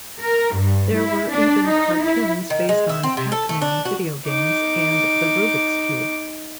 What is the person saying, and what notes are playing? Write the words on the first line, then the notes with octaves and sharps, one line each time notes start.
There were even cartoons based on "Pac-Man" video games and "the Rubik's Cube".
A#4
G2
E4
D4
D#4
E4
D#3
G#3
E4
C4
C3
A4
A3
D4
F#4
D#4 D6